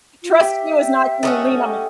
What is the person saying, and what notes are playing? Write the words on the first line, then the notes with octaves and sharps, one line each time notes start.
trust you is not "can you lean on me?"
F4
G4 E5
A3 C#4 F#4 D#5 D#6